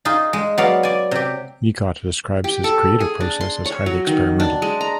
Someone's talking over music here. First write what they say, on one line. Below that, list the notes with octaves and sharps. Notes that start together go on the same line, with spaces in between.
Nicot describes his creative process as highly experimental.
D#4 F4 G#4
G#3
F#3 B3 D5 F5
D5 G#5
C3 G4
G4
A4
G#4
D4
C6
C#5
F#3
D#3
D4
G#3
A#5